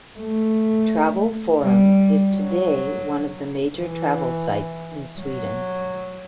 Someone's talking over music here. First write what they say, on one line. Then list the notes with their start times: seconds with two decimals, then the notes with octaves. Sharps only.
Travel Forum is today one of the major travel sites in Sweden.
0.19 A3
1.62 G3
2.33 F#3
3.76 E3
5.19 F#3